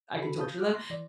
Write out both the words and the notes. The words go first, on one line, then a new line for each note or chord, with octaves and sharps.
I could torture them,
F#4 A4 B5
F5 A5 D#6 G6
F#5 D6 F6 F#6
C6 A#6
E3 D5